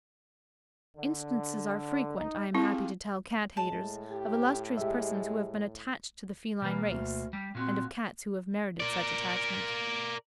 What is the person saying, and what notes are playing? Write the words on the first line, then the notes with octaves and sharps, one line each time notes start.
Instances are frequent, I am happy to tell Cat-haters, of illustrious persons who have been attached to the feline race, and of Cats who have merited such attachment.
D3
D#4
C4 E4 F4 G4 G#4
A2 G#3 A5
G4
G#3 G4 E5
B2 E3 A#3
D2
G3
A#2 C4 F#4
A#4 D5